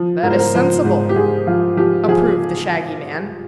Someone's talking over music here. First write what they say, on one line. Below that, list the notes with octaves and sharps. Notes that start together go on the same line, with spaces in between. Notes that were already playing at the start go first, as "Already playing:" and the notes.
"That is sensible," approved the Shaggy Man.
Already playing: F3
G#2 A#4
C5
A#4
F3 C5
G#2
G4
G#2 G#4
F3 F4
F3 G4
F3 G#4